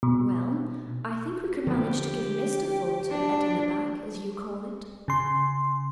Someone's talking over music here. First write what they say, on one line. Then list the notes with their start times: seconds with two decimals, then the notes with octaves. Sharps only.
'Well, I think we could manage to give Mr. Thornton a dinner back, as you call it.
0.03 B2
1.67 D3 F3 B3 G4
3.11 D4
5.08 C#3 C6